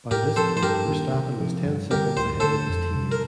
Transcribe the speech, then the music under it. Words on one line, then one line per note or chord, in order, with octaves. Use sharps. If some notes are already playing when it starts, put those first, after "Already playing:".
By this point Verstappen was ten seconds ahead of his teammate.
A2 G4 A#4
F3 C4 A4 C5
C5
G2 G4 A#4
D#3 A#3 D4
C3
F3 C4
G2
D3 G3 C4 G4 A#4
D2 C5
D3 A3 A4 C5
F2
C3 G3
A#4